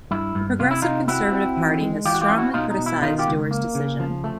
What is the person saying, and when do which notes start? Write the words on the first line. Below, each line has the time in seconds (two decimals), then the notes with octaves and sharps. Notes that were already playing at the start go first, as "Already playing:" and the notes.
The Progressive Conservative Party has strongly criticized Doer's decision.
0.11 G2 E4
0.35 G2
0.59 C3 F4
0.71 E4
0.82 C3 D#4 F4
1.08 C4 E4 F#4
1.33 C4
1.57 E3
1.81 G#3
2.05 E3 F4 G4
2.14 F#4
2.21 F4 G4
2.30 C#4
2.37 E4 F#4
2.54 B2 D#4 F4
2.70 D#4
2.78 B2
2.86 E4
3.02 D#3 D#4 F4
3.19 F4 G4
3.27 C#2
3.51 A#3
3.75 C#3
4.00 F3
4.24 A3